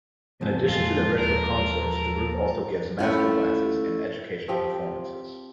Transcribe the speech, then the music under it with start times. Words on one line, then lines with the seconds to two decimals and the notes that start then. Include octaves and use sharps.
In addition to their regular concerts, the group also gives masterclasses and educational performances.
0.41 E2 G#2 C3 F3 A4
0.69 F2 A#2 G#3 F4
1.18 D#2 A#4
2.99 A3 C#4 E4 F4
4.48 F3 C4 G4